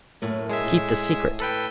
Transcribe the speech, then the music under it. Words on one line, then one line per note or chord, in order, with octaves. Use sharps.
Keep the secret.
F#2 A2 A#3
G#3 G#4 E5
A2
A4 B4 G5